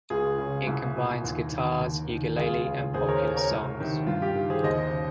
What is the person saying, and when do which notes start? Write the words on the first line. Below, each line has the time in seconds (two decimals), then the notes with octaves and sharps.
It combines guitars, ukulele, and popular songs.
0.10 C#2 F4 G#4
0.38 C#3
0.67 C2
0.96 A#2
1.24 D#2
1.52 D#3
1.81 D#2
2.09 D#3
2.37 C#2 F4 G#4
2.66 C#3
2.94 D#2 G#4 C5
3.08 A#4 C#5
3.22 C#3
3.36 A#4 C#5
3.51 C2
3.79 C3 D#3
4.07 G2 F4
4.22 G4
4.35 D#3
4.50 G#4 C5
4.63 D#2 C5 D#5
4.92 C#3